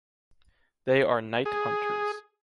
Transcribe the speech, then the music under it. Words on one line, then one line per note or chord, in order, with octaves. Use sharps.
They are night hunters.
G#4